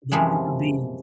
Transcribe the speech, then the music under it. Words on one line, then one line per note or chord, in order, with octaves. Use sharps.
the worker bees.
F#2 C3 E3 F3 G#3